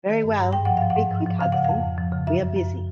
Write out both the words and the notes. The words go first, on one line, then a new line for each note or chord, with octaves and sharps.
Very well — be quick, Hudson; we are busy.
D#3
G2
G2
G#2 G5
F3 F#5
F5
F3
F#5
G#2
F3
F3
C#3 F5
C#3 F#5
F2 F5
F2
F3
C#3
F#2 E5
F#2
F#2